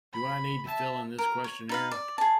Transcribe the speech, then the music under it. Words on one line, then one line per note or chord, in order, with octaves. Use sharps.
Do I need to fill in this questionnaire?
B5
E5 A5
A#4
C#5
D#4 B4 F5
D5
G#4 A5